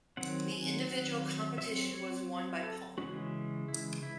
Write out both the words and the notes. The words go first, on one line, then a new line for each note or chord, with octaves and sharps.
The individual competition was won by Palmer.
D#3 F#3 C4 F#5
G#5
F#5
F#3 C4 E5
C#5
A4
C#3 E3 G#3 C#4 F#4
E4
E4